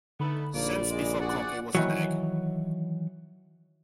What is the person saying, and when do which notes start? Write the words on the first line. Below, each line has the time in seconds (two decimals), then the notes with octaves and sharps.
Since before cocky was an egg.
0.20 D3 A3 B3 D#4 B5
0.54 A#1 F3 A#3 D5
0.89 G#3
1.21 C3 F#4 G#4 D5 F#5
1.75 D#3 E3 F#3